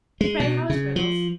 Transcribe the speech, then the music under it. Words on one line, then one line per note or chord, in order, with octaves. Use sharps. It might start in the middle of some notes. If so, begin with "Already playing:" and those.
Pray, how is Brittles?'
G#3
B2
C#3
F3